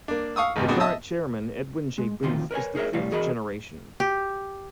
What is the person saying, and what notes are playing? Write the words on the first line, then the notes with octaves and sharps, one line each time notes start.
The current chairman, Edwin J. Booth, is the fifth generation.
A#3 D4
F5 C#6 D#6 E6
G#1 E2 G2 B2
A#2 C#3 B3 C4 D4 F#4
D#5 E5 A5 D#6 E6
G#3
D2 C3 D#3 F3 F4 C6
A#4 B4 C#5 G#5
D#4 G#4 A#4 C#5 E5
A2 C3 G3 F5
E2 F#4 G#4 A#4 D#5 B5
G4